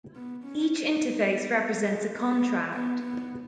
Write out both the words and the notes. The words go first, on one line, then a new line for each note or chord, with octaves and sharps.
Each interface represents a contract.
B3
C#4
B3
G#3
B3
B3
B3